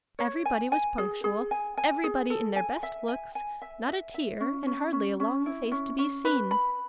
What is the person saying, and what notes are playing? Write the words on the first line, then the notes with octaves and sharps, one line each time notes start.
Every body was punctual, every body in their best looks: not a tear, and hardly a long face to be seen.
C#5
G#5
G#5
G#4
G#4
G#5
G#5
G#4
A4
G#5
E5
G#5
G#5
E5
E5
E5
C#4
C#4
C#4
C#4
E4
C#4
C#4
B4
B5